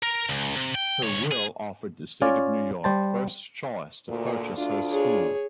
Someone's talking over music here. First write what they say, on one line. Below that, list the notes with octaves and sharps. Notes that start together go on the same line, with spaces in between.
Her will offered the State of New York first choice to purchase her school.
A#4
C#2
C3
G5
D2 C#5
G#4
C#4 F4 C#5 D5
G3 C5 A5
D2 A#2
D2 D4 F4
G#4 C#5